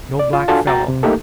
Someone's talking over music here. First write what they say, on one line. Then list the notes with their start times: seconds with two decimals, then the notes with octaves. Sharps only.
No black fellow.
0.19 D5
0.33 F4
0.48 D4 F4 F#4 A4 G#5 A5
0.67 F#4 G5 A#5 A6
0.88 C3
1.03 A3 A#3 D#4 G4 A4